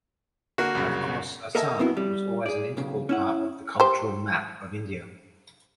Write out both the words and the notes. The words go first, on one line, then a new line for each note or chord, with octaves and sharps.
Of course Assam was always an integral part of the cultural map of India.
D3 A#3 F#4
C2 F#2 C#3
A4 A#4 D#5 E5 G#5 A5
B3 C4 E4 F#4
G3
G#4 D5
B1 C#3
C#4 E4 F#5
G4 C5